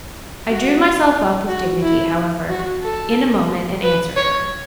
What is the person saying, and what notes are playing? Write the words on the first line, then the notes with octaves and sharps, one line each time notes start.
I drew myself up with dignity, however, in a moment and answered her.
F#4
F#4
E4
F#4
A4
B4
C#5